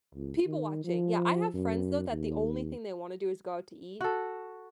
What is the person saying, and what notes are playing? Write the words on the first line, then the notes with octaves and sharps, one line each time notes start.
People watching, yeah. I have friends, though, that the only thing they wanna do is go out to eat,
C#2
D#3
F3
F#2
D#2
F#4 A4